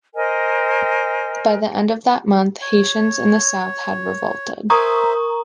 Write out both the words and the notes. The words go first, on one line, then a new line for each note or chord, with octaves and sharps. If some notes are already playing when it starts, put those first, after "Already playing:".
By the end of that month, Haitians in the south had revolted.
A#4 C5 D#5 G#5
C#5
A#4 C5 E5 G#5 A#5 C#6 D#6 G#6